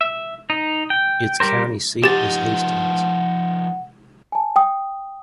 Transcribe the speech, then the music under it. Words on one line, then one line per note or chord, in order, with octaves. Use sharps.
Its county seat is Hastings.
E5
D#4
G5
G3 G4 A#4 C5
F3 D#4 G4 F#5 A6
G#5 A5
G5 D#6